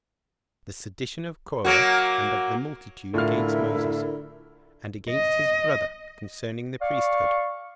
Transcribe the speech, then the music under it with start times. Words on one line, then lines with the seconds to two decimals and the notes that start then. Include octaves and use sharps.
The Sedition Of Corah And Of The Multitude Against Moses, And Against His Brother, Concerning The Priesthood.
1.65 F#3 A#3 F#4
3.14 A2 D3 E4 F4 A#4 F6
5.10 D#5
6.82 D5 F5 C#6